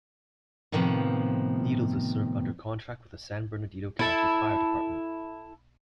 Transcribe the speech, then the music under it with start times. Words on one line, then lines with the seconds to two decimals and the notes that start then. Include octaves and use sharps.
Needles is served under contract with the San Bernardino County Fire Department.
0.72 A2 C3 D#3 F3 B3
3.99 E4 A4